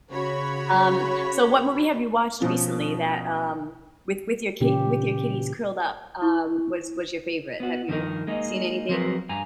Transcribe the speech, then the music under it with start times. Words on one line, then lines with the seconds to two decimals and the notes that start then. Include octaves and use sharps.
um so, what movie have you watched recently that, um with with your kit with your kitties curled up, um, was was your favorite? Have you seen anything
0.11 C#3 F#4 C#5 B5 C#6
2.40 B2 F3 C#4
4.61 A#2 C#3 E3 C#4 G4
6.22 E4 C#6
7.60 B3 F#4
7.88 G2 D#3 F3 B3 D#4 A#4
8.27 G#3 A#3 D#4
8.89 F3 F#3 C4 G#4 A#4 B4
9.29 G2 G#5 A#5